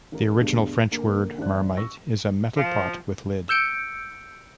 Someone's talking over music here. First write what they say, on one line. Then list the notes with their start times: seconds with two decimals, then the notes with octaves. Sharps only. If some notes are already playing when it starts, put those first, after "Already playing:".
The original French word "marmite" is a metal pot with lid.
0.12 A1 A#4
0.40 D2 G2 B2 G#3
0.91 D3 A#3
1.38 A1 D4 C5 D5 F#6
1.77 C#6 E6 A#6
2.57 F3
3.49 E6 G6 C#7 D7